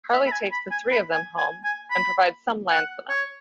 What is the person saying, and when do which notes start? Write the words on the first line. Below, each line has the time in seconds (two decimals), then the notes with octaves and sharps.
Harley takes the three of them home, and provides some land for them.
0.12 E5
0.27 B5
0.32 G#5
0.52 B5
0.72 G#5
0.92 B5
1.12 G#5
1.38 G#5
1.64 G#5
1.91 B5
2.70 F#5
3.09 C#5